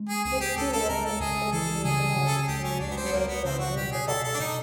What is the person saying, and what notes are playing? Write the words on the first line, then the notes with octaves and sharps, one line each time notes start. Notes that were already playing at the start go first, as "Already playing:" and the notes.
The stadium is set to be demolished to make way for a new development.
Already playing: G#3
G#4
C#2 G#4
G4
C#2 A4
A4
C#2 A#4
A4
C#2 G#4
E3 A4
C#3 G#4
C#3
A4
G#4
C#2 G4
C#4
C#2 D4
B3
C4
B3
C#2 A#3
B3
C#3 C4
F#4
B2 G4
G#4
B2 A4
A4
D4
B2 D#4